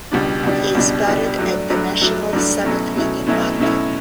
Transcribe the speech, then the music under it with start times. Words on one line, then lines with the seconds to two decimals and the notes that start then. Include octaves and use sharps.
He is buried at the National Cemetery in Martin.
0.12 C#2 B2 G3 D4
0.43 C#2 B2 G3 D4
0.75 C#2 B2 G3 D4
1.07 C#2 B2 G3 D4
1.39 G2 F#3 A3 D4
1.70 G2 F#3 A3 D4
2.01 G2 F#3 A3 D4
2.33 G2 F#3 A3 D4
2.64 B2 F#3 A3 C#4 E4
2.96 B2 F#3 A3 C#4 E4
3.27 B2 F#3 A3 C#4 E4
3.59 B2 F#3 A3 C#4 E4